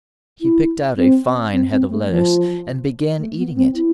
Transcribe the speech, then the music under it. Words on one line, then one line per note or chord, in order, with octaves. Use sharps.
He picked out a fine head of lettuce, and began eating it.
E4
C4
C4
C4
A3
F3
A3
B3
C4
E4